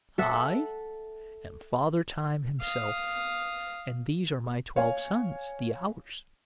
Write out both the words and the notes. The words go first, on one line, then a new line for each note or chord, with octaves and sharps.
I am Father Time himself, and these are my twelve sons, the Hours.
A4 E5 F#5
F5 D#6
C#5 F5 G#5